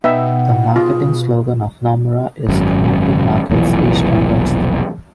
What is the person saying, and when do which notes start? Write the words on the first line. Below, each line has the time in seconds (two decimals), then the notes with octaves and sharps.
The marketing slogan of Nomura is "Connecting Markets East and West".
0.04 B2 B3 D#4 E5 F#5 G5
0.76 F4 G#4
2.49 G#1 F#2
3.50 F1 B1 A#2 E3